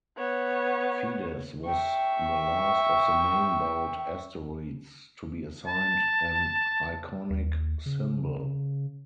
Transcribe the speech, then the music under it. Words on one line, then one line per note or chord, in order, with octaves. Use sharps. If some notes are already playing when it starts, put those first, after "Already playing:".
Fides was the last of the main-belt asteroids to be assigned an iconic symbol.
B3 C#5
E5 G5 C#6
A5
D#2
C#3